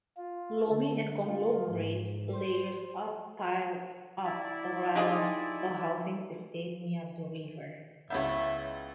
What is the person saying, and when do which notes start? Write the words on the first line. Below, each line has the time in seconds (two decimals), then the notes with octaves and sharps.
Loamy and conglomerate layers are piled up around a housing estate near the river.
0.17 F4
0.69 D3
1.27 F4
1.66 G#2
2.34 C5
4.24 E4 D5 E5
4.96 D#4 F4 G4 G#4
8.10 C#2 B3 E4 C#5 E5 G6